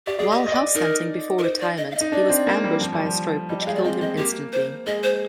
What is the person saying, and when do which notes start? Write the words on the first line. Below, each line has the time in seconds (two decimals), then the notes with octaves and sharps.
While house-hunting before retirement he was 'ambushed by a stroke which killed him instantly'.
0.07 G4 D5
0.19 G#4 D5
0.30 G4 D#5
0.47 D#5
0.52 D5
0.75 D#4 A#4
1.39 A#4
1.43 C5
1.61 D5
1.78 D#5
1.91 F5
1.95 D#5
2.01 D#4
2.12 D4 D5
2.30 C4
2.47 A#3
2.64 G3
2.81 F3
2.93 G3
3.05 F3
3.49 G3 D#5
3.59 D#5
3.66 G#3 F5
3.75 D5
3.84 C4 D#5
4.01 C4 D#5
4.17 A#3 G4
4.53 C5
4.87 G#3 D#5
5.03 C5